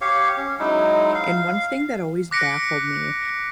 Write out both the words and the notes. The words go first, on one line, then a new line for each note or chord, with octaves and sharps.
And one thing that always baffled me
G4 C#5 F5
C#4
F#3 G#3 D#4 E4
F5
D6 F#6 A#6 B6 C#7 D7